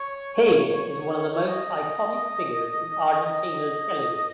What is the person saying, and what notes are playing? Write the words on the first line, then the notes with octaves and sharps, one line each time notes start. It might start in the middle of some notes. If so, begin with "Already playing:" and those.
He is one of the most iconic figures in Argentina's television.
Already playing: C#5
D#5
D#5